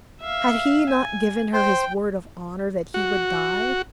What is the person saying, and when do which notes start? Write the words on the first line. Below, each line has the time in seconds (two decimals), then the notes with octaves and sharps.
Had he not given her his word of honor that he would die?
0.21 E5 F5
0.90 G#5
1.54 C5 G5
2.94 F#4